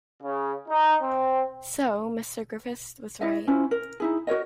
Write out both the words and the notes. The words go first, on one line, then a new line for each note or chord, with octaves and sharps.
So Mr. Griffiths was right.
C#3
D#4
C4
E4 C#5 D#5 E5
C#4 E4 F4 C5
A#4
D#4 E4 G#4
F#4 A#4 C#5 D#5